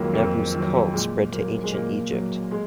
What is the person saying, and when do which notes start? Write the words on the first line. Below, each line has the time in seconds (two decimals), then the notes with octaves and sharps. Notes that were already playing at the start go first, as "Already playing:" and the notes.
Nabu's cult spread to ancient Egypt.
Already playing: F2 D#3 F#3 G#3 A#3
0.14 F2 A#3
0.54 D#3 F#3
0.93 A#2 G#3
1.32 F#3 A#3
1.64 G#3
1.72 A#2 A#3
2.11 F#3
2.51 G#3